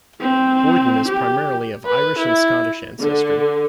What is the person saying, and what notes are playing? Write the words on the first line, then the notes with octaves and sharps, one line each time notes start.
Boyden is primarily of Irish and Scottish ancestry.
C4
G4
B4
E4
D3